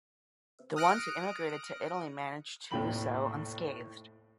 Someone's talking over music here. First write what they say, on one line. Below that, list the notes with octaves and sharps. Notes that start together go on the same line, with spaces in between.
The ones who emigrated to Italy managed to so unscathed.
D#6 F6 F#6 A#6 C#7 D7
F1 D#2 A2 G5 B5 F#7